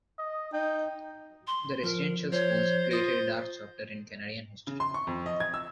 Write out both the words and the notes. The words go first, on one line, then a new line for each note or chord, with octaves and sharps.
The residential schools created a dark chapter in Canadian history.
D#5
D#4 G5
C6
F3 A#4
F3 C5 C#5
F4 C5 D#6 A#6
C#3
C6
C#6
F2
D#5
G#6
E6